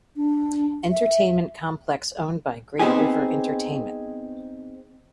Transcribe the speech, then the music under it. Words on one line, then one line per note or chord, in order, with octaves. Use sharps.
Entertainment Complex owned by Great River Entertainment.
D4
E5
B3 C4 D#4 G4 G#4